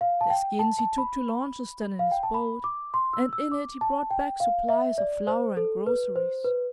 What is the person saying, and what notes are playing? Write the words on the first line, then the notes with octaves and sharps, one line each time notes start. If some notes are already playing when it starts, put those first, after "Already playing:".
Their skins he took to Launceston in his boat, and in it he brought back supplies of flour and groceries.
F5
A5
G5
A5
A5
B5
F5
G5
A5
B5
D6
C6
E6
E6
D6
A5
G5
F5
E5
D5
C5
A4
B4
C5
B4